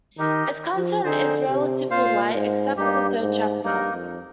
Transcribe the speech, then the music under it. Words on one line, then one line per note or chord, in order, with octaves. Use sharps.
Its content is relatively light, except for the third chapter.
D#3 D#4 G4 A#4 D#5
F3
D3 C4 D#4 G#4 C5
C3
A#2 F4 C5 F5
G#2
G2 A#3 D#4 G4
G#2
G2 A#3 D#4 A#4
F2